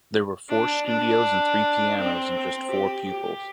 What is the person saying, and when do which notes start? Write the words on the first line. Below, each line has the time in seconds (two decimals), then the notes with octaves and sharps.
There were four studios and three pianos and just four pupils.
0.50 D4
0.87 D4
1.98 C4
2.35 C4
2.72 G4
3.09 G4